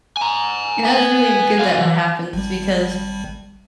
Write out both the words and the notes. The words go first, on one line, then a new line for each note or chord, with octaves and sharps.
And that was really good that, that happens because
G#5 A#5
B3 G#5
F#4 F5
E3
G#1 G3